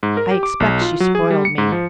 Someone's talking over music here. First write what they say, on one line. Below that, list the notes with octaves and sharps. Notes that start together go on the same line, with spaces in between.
I expect she spoiled me.
G#2
A#4
G4
D6
B1
F4
F#3
G#4
G3
C#7
G#2
F3